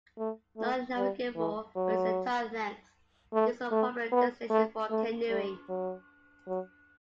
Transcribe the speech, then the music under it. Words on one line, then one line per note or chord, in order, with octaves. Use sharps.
Non-navigable for its entire length, it is a popular destination for canoeing.
A3
A3
G3
E3
F#3
A3
A3
B3
A3
A3
G3
F#3
F#3